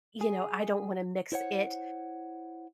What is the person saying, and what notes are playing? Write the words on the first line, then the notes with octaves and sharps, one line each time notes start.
y you know, I don't wanna mix it
G#4
E4 C5 C#5 F#5